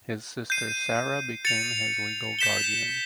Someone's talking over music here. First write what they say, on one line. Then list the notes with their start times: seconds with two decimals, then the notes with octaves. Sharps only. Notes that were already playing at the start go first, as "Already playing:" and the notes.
His sister Sarah became his legal guardian.
0.50 G6 C7 D#7
1.45 A6 C#7 F7
2.39 G6 B6 E7 G7